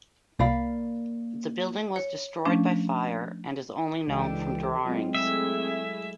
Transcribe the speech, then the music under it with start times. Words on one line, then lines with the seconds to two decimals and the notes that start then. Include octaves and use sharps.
The building was destroyed by fire and is only known from drawings.
0.39 C2 A#3 D5 F5 B5
1.96 C#5
2.45 F3 A3 C#4 D4
4.07 C#2 E3 G#3 D4 G4 A4
4.85 F#3 G#3 C4 F4
5.15 A3 E4 G#4 E5